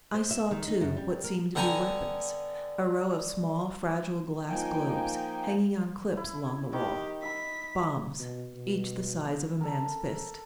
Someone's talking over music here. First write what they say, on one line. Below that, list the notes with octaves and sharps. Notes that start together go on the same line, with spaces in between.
I saw too, what seemed to be weapons: a row of small fragile glass globes, hanging on clips along the wall--bombs, each the size of a man's fist.
C5
E5
D#3
D#4
F#2
G3
A#4
D3 B3 A#4 G5 G#5 A#5
F3 A#3 D#4 G5 G#5
E4
D#3 G4
E5 B5 B6
B2
B2
A4 A#4